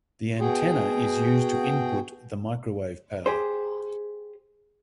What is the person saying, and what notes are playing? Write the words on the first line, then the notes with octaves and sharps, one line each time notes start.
The antenna is used to input the microwave power.
B2 F#4 G#4 G5
G4 G#4 C5